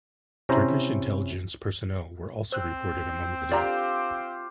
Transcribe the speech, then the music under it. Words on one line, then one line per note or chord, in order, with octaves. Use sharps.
Turkish intelligence personnel were also reported among the dead.
C3 C#4 E4 C5 A#5
C4 C5 E6 F#6
F4 G4 C5 D5 A#5 F6